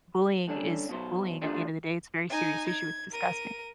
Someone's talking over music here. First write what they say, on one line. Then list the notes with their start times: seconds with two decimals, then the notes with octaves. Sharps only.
Bullying is bullying at the end of the day, it's a very serious issue. It's disgusting,
0.48 G2 D3 C#4 D4
0.89 B2 F#3 C5
1.42 E3 F3 G3 A3 D4
2.30 D#4 G#5
2.68 G#6
3.11 A#4 D#7